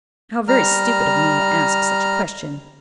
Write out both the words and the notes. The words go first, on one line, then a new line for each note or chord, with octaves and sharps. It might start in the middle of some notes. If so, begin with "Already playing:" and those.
How very stupid of me to ask such a question.
G3 A#5 F6